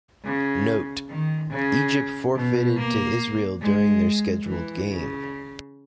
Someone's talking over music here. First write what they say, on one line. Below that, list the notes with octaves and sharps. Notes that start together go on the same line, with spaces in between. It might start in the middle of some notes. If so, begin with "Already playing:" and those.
"Note:" Egypt forfeited to Israel during their scheduled game.
C#3
D#3
C#3
B2
A#3
G#3
E3
C#3